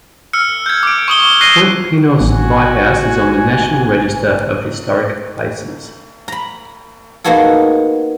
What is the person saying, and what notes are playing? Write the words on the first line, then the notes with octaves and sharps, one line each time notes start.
Point Pinos Lighthouse is on the National Register of Historic Places.
E6 F6 C#7
G6 G#6
D6 D7
C#6 D#6 G7
F#6 A#6 C7 D#7 G7
A1 F#4 G#5
A#5 B5
A#3 B3 D#4 F#4 G#4 A4